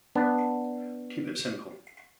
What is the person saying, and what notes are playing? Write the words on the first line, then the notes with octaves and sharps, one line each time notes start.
Keep it simple.
B3 D4